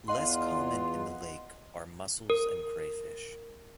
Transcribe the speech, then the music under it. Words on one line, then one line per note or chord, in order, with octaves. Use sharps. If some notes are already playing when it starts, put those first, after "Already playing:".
Less common in the lake are mussels and crayfish.
E2 F4 D#5 F#5 C6
A#4